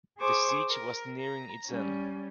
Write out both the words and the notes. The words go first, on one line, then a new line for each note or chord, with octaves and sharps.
The siege was nearing its end.
G#4 C5 C#6 D6
A#4
A#5
G3 C#4